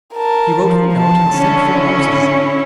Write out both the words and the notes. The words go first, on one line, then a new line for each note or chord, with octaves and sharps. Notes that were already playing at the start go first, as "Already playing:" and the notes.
He wrote the note, and sent for the horses.
A#4 A5
F3
A5
D3 C#4 E4
C#5